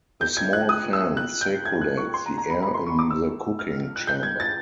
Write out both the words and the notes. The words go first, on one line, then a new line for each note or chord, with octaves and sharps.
A small fan circulates the air in the cooking chamber.
G6
G#6
F#6
D#6
E6
F#6
G6
G#6
F#6
C#6
C6
A#5
A#5
B5
B5
C6
C#6
D6
E6
F6
F#6
G6
G#6
A6